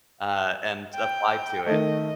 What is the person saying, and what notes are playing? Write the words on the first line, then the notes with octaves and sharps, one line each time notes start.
uh, and applied to it.
G5
D#3 A3 D#5